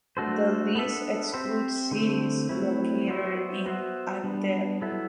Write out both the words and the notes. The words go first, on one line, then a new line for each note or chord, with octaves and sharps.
The list excludes cities located in Agder.
A3 D4 F#4 A4 C5
B3 D4 A4 E5
C4 G4 C5 E5
D3 A3 C4
F#3 A3 C4 E4
F#3 B3 F#4 C5 E5
B3 F#4 C5 E5
G3 B3 D4
F#3 B3 E4 A4 E5